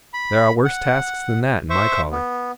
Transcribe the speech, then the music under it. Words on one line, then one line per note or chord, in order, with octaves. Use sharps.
There are worse tasks than that, in my calling.'
B5
F#5
C5 E5 C#6
B3